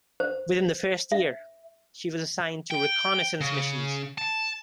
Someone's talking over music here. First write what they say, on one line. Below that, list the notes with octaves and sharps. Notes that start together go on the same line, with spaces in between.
Within the first year, she was assigned to reconnaissance missions.
C5
E5
G5
C#3
A5